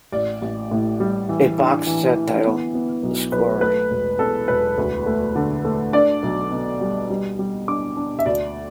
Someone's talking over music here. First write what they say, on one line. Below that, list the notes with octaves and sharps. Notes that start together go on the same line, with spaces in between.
A boxed set titled Sorcery!
A1 D5
A1
A2
G3
E3
D4
E3
E3
B3
B3
B1
B1 B4
A3 B4
E1
E2 A4
E1 B4
D2
A3
D3
A3
D4 D5
B1
B2
G3
G3
G3
D4 D6
D4
E5
D2 D5